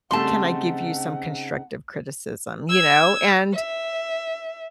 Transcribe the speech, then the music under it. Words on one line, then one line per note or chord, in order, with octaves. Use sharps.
"Can I give you some constructive criticism," you know? And
C#3 G3 A3 C4 D#4 F#5 A5 C6
E6 G#6
E5